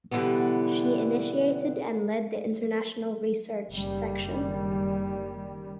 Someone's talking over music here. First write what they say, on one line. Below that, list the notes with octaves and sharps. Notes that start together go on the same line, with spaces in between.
She initiated and led the international research section.
B2 D3 E3 G3 B3
F#1 D#3 G3